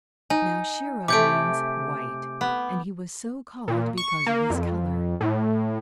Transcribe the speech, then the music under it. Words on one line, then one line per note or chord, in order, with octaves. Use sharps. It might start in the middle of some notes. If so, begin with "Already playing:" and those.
Now Shiro means "white," and he was so called because of his color.
D#4 G#5
C3 A3 D6 G6 D7
B3
A#2
C#6
A#3
F2
A2